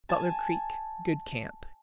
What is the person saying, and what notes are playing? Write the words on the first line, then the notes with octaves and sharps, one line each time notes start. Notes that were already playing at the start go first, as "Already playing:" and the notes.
Butler Creek.--Good camp.
G#5 A5